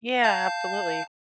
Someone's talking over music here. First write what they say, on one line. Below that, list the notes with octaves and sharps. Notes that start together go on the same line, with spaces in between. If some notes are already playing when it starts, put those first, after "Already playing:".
Yeah, absolutely.
F5 A5 G6